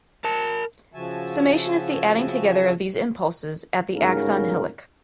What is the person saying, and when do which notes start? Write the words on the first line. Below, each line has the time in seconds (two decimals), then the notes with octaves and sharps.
Summation is the adding together of these impulses at the axon hillock.
0.24 A#4 A5
0.92 C#3 F3 F#4 E5 G#5 A5
3.95 G1 G#2 C#3 F#4 A#4